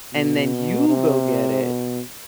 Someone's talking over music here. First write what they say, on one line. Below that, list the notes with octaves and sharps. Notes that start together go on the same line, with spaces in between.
and then you go get it,
B2
C3
B2